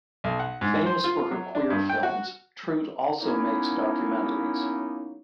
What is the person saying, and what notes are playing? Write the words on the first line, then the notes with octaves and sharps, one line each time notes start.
Famous for her queer films, Treut also makes documentaries.
B1
F#5
G#2
C5
F4
F#3
D4
G2
G5
F#4
F#3 A#3 B3 C#4 D#4 E4